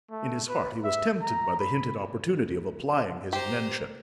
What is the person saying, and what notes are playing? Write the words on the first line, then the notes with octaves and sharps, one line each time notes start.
In his heart he was tempted by the hinted opportunity of applying his invention.
A3
B4
E5
A#5
B5
G4 C5 A#5